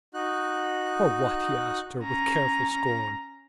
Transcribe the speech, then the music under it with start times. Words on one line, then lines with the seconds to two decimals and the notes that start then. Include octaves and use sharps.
For what, he asked her, with careful scorn.
0.14 D#4 F#4 F#6
2.01 C#4 A#5